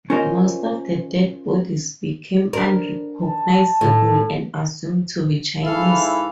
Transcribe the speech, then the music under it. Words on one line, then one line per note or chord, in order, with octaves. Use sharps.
Most of the dead bodies became unrecognizable and assumed to be "Chinese".
C#4 F4 A#4 C5 D#5
D4 A#4
A5
A2
G#2 E3 E4 A4 F5